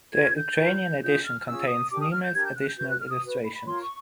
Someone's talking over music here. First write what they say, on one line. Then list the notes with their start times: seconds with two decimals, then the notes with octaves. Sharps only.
The Ukrainian edition contains numerous additional illustrations.
0.14 F4 A#4 C#5 G#6
0.36 G6
0.57 F4 A#4 C#5
1.01 C#4 F4 G#4 G6
1.23 F6
1.45 C#4 F4 G#4 E6
1.67 D#6
1.89 D4 G4 A#4 D6
2.00 D#6
2.11 F6
2.23 G6
2.33 D4 G4 A#4 G#6
2.44 G6
2.55 F#6
2.67 G6
2.77 F#4 B4 G6
2.88 F#6
2.99 F6
3.10 D#6
3.21 F#4 B4
3.43 B5
3.54 B5
3.65 F4 A#4 C#5 C6
3.81 C#6